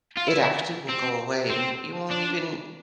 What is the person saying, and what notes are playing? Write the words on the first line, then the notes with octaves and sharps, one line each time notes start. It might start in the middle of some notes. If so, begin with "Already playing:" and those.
it actually will go away, and you w you won't even
F4
E4
C4
C4
D4